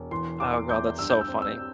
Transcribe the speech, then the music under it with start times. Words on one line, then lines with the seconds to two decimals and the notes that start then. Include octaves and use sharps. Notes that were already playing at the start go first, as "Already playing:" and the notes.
Oh god. That's so funny,
Already playing: E1
0.11 E3 C6
0.40 E2 D6
0.69 E4 G6
0.99 G2 E6
1.10 G6
1.21 E6
1.28 C4
1.42 E6